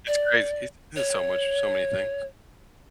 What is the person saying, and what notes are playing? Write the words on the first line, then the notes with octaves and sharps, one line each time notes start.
It's crazy, he's he's in so much so many things.
D5
C#5